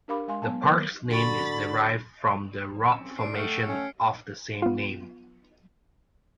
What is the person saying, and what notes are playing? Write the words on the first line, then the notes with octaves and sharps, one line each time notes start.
The park's name is derived from the rock formation of the same name.
D4 G4 A#4 F5 B5 D6
G#3 F5 G#5 C6
F#3 B3 G#5 A5
F#3 A#3 A#4 B4 D6
D#3
D3 F#4 B5 C#6 A6
C4 C#4 E6
B2 D3 C7 D7
A3 D#5 F#5 G5 F6 C#7
C#4
B3 F4